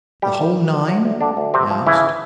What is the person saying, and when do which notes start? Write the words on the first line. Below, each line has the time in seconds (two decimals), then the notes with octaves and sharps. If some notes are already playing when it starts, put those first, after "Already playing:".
"The whole nine?" I asked.
0.22 D2 G3 G4
0.39 D2
0.56 D2
0.71 D2
0.88 D2 F#3 F#4
1.04 D2
1.21 D2 D3 D4
1.37 D2
1.54 C3 F3 C4
1.70 F3
1.87 C#3 E3 E4